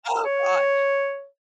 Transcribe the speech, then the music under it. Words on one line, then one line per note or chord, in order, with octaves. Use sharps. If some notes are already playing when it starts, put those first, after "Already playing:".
Oh god!
C#5